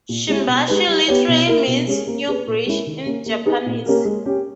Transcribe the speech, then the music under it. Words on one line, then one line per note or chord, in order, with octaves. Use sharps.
Shimbashi literally means "Newbridge" in Japanese.
A#2
G#3 C#4 E4 G4
B2
G#3 D#4 G4 B4
G3
B3 G4 C#5
B2
A#3 E4 A#4
B2
G#3 C#4 G#4
A#3
C#4 G#4 B4
A#2
G#3 C#4 E4 A#4
D#3
A#3 C#4
A#3
D#4 G#4 B4
A#2
A#3 C#4 G4 A#4
G#3
C#4 G4